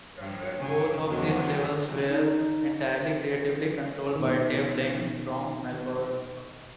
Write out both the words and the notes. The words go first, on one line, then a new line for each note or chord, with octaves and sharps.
Both of these labels were entirely creatively controlled by Dave Laing, from Melbourne.
G2
C#3
E2 D3 F#3
D#4
B2 D#3